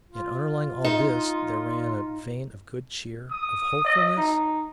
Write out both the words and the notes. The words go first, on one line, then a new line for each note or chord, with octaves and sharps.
Yet underlying all this there ran a vein of good cheer, of hopefulness.
F4
D#4
D#6
D#5
D#4